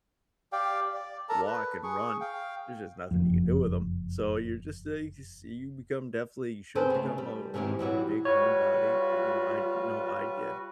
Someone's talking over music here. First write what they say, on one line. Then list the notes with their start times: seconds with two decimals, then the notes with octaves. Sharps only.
walk and run, there's just nothing you can do with ‘em. So, you're just, eh, you can see you become definitely you should become a a a big homebody, eh, you know, I know I did.
0.52 G4 D5 F5 G5
0.94 D5
1.29 A4 A#4 A5 A#5
1.46 B4
1.83 G#4 C#6
2.21 F5 G5
3.11 F#1 F2
6.75 C4 G#4 A4 B4 C5
6.90 C#3 A3
7.18 G3
7.54 G#2 C3 D#3 E3 A#3
7.79 A#2 E3 F#3 G3
8.25 G3 F4 F#4 B4 C#5